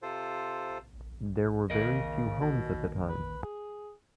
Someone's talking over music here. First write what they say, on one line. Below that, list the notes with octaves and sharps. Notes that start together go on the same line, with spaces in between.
There were very few homes at the time.
C3 F4 A4 C5
D#2 C#3 A#4 D#5
B2
B4
G#4